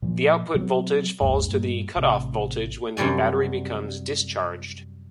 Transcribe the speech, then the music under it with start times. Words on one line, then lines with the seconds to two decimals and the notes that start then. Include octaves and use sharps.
The output voltage falls to the cutoff voltage when the battery becomes "discharged".
0.02 A#2 F3
0.54 B2 F#3 C4
1.20 F1 D2 G2
1.49 G2 A#2
1.96 A1 C3
2.97 F#2 C3 G3 D5 G#5